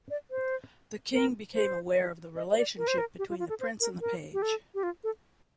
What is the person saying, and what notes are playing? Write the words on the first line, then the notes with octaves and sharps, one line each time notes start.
The king became aware of the relationship between the prince and the page.
D5
C5
A#4
C5
D#5
C5
D5
A#4
C5
A#4
G4
F4
F4
A4
C5
A#4
A#4
G4
A4
G4
F4
A4